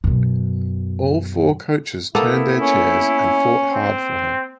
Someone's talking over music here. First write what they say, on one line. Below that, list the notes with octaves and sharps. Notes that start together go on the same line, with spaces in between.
All four coaches turned their chairs and fought hard for her.
F#2 B2
A#3 B3 E4 A4
C#4
C4